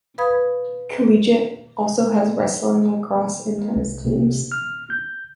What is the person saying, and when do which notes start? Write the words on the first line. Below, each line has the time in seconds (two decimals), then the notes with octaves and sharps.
Collegiate also has wrestling, lacrosse, and tennis teams.
0.18 B4 F5 B5 D#6 G#6
3.59 G#3
3.76 C2
4.05 C3
4.52 F6
4.90 G6